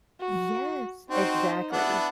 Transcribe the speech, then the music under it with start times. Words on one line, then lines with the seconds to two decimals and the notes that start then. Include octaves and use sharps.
Yes, exactly.
0.20 F#4
1.10 C4 D#4 F#4 C5
1.72 B3 D4 E4 F#5